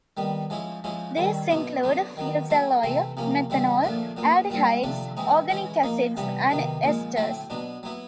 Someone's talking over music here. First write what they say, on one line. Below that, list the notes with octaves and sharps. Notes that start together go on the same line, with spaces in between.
These include fusel oil, methanol, aldehydes, organic acids and esters.
D#3 G3 B3
F3 G#3 C#4 E4
F3 G#3 C#4 E4
D#3 G3 C4
B2 F#3 B3 E4
D3 F#3 B3
D#3 F#3 B3
F#3 A3 C4 E4
C3 E3 A3 C4
C3 F3 A#3 C#4
C#3 E3 G3 C4 E4
A#2 F3 A3 D4
A#2 F#3 B3
A#2 G3 C4
C3 F3 A3 D4
E3 G#3 C4 D#4
E3 G#3 C#4 E4
F3 A#3 D#4
C3 E3 G3 B3
C3 D#3 F#3 B3
A#2 F3 G#3
A2 F#3 A3 C4 E4
B2 F#3 B3 D4
F#3 B3 E4